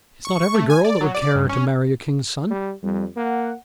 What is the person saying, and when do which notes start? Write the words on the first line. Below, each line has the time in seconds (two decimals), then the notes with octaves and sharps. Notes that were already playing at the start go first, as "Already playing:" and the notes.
It's not every girl that would care to marry a king's son.
0.25 C#6
0.42 C#6
0.55 A3
0.70 G#5
0.85 D5
1.01 F#3
1.15 D5
1.35 G2
1.49 C#4
2.51 G3
2.83 F2 G3
3.17 A#3 F#5